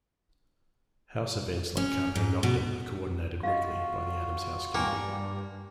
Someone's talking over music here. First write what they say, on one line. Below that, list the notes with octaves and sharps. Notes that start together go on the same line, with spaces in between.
House events like Carpe Noctem are coordinated weekly by the Adams House Committee.
C#4
G#2
B2
F4 F#4 D#5 F5
G2 A#3 G5 G#5